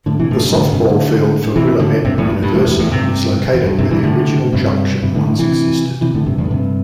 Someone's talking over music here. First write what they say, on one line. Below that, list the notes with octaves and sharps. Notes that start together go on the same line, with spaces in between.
The softball field for Willamette University is located where the original junction once existed.
A2 D3
C3 E3
A2 D3
G2
A2 D3
G2 C3
A2 D3
C3 E3
A2 D3
G2 C3
E2 A2
G2
G2
E2 A2
E2 A2
E2 A2
G2 C3
E2
G2
G2 C3
C3 E3
A2 D3
G2 C3
G2 C3
A2 D3
A2 D3
C3 E3
C3 E3
A2 D3
G2 C3
E2 A2
D3
G2 C3